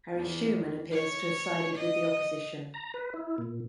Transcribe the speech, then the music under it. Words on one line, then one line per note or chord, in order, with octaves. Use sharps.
Harry Shewman appears to have sided with the opposition.
E2
C#5
D#5
A#5
B4
E4
A#2